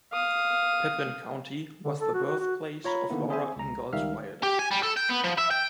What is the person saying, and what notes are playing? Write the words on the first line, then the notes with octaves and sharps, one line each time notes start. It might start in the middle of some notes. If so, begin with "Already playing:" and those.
Pepin County was the birthplace of Laura Ingalls Wilder.
F5 D#6
D3
A4
F#4
F#4
F#4
F4 C#5 A#5 B5
D3 D#3 A#3 B3 E4
C4 G#4 C5 E5 G#5
C#2 A#5
C#2 D#3 G3 E5 F5 F6
G4
G#5
G3
A4
G5
B3
F3
E5
G5